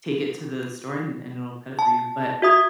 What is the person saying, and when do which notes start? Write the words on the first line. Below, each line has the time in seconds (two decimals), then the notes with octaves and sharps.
take it to the store and and it'll cut it for you, but,
1.79 A5
2.42 F#4 E5 D#6 G#6